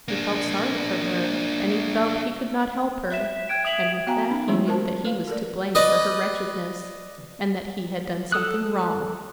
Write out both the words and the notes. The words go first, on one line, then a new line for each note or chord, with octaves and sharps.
He felt sorry for her, and he felt he could not help her, and with that he knew that he was to blame for her wretchedness, and that he had done something wrong.
A#3 D4
E5 F#6 E7
G5 F#6 G#6 D7
E5 D#6 F7 F#7
B3 F#4 F5 G5 G#5 A#5
C#4 D#4 B5
E3 F#3 G#3 A3 C#4 E4
F4 A#4 C5 A5
B4 F5
A4 A#4 D5
B4 D5 D#5
A4 D#6 F#6